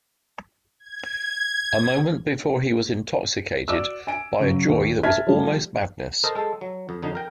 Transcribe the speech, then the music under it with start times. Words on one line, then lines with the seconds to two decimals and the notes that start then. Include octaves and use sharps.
A moment before he was intoxicated by a joy that was almost madness.
0.80 G#6
3.68 F#4 D5 D6 E6
4.07 G#5 D7
4.40 C#3 F#3
4.69 D#2
5.03 E5 A5 F6 G#6 B6
5.27 F3 G3 A3
6.24 A4 A#4 C5 D#5
6.35 G#3 A4
6.61 F#3
6.89 F2
7.02 F2 D3 D#4
7.15 A#4 G5